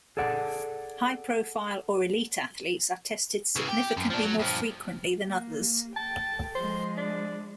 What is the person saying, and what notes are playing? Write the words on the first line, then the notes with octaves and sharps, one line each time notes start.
High-profile or elite athletes are tested significantly more frequently than others.
G#4 A4 D5 F#5
C#3 E3
G4
F#2
F3 D4
F#3
G2 F3
A#3
G5 A5
F3 G#3 C5
D4